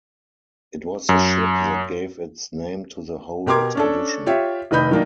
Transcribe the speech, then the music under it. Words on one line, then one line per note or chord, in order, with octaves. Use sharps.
It was the ship that gave its name to the whole expedition.
F#2
B2 G4 A#4 C6 D6 G#6
C#4 D4 A4
F4 G4 C#5 E5
F1 D#3 B4 D#5 B5 G6
D#3 F#3 A#3 D4 D#4